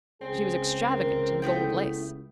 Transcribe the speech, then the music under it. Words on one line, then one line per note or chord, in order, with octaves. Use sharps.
She was extravagant in gold lace.
C#2 C4 G#4
A#4
A3 B3 E4 G5